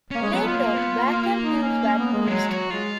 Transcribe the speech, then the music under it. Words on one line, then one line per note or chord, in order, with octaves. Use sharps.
Later, vacuum tubes were used.
A#3 C#4
G#3
F#3 B3
F4
A#3
B3
A#3
D#4
C#4
C#4
B3
G#3
F#3 G#3
F#3 F#4
G#3 F4